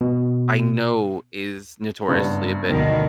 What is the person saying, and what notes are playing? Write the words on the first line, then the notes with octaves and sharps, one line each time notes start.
I know is notoriously a bit
B2
F#1 G2 B3
D2 B2 D#3